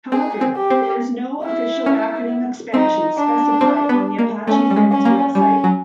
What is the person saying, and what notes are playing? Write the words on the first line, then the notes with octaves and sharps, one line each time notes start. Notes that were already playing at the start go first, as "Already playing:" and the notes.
However, there is no official acronym expansion specified on the Apache Friends website.
C4 G#4
C4
G4
C4
E4
C#4
C4 D#4
D4
C4
B3
A#3
A3 C#4
G3
G#3
C#4
A#3
G3 C#4
F#3